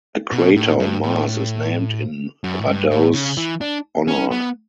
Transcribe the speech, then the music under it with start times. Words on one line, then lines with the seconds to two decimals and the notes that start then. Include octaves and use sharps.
A crater on Mars is named in Radau's honor.
0.32 B2
0.56 A2
0.80 G2
1.03 A2
2.44 F#2
2.61 A2
2.67 G2
2.91 A2
3.14 C#3
3.37 E3
3.61 D4
4.08 C#4
4.31 B3